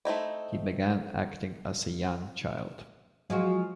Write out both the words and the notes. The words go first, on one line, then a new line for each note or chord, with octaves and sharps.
He began acting as a young child.
A3 C4 D#4 E4
F3 F#3 G#3 F#4